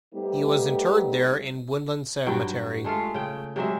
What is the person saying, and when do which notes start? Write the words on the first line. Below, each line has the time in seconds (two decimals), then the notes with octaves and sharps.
He was interred there in Woodland Cemetery.
0.14 G3 A3 B3 D#4 G4 C5
2.26 G2 F#3 F#4 G5
2.84 G#3 A3 F4 F5
3.14 C#3 G5
3.56 C3 F#3 G#3 E5